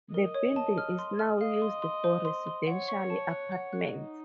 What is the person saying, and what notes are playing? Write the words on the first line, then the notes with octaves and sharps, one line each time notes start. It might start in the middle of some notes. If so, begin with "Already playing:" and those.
The building is now used for residential apartments.
A#4 D#5
C#5
A5
F6
C6
F6
D#5 F5
C6
C6
C5
C6
C6
C#5 F#5
C#6
A5
F#6
F#5
F#6
D#4 D#5